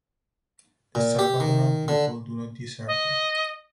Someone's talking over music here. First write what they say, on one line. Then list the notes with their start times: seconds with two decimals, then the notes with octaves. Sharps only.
The Salvadoran people do not deserve it.
0.95 A#2
1.19 G4
1.40 D#3
1.88 D3
2.87 D#5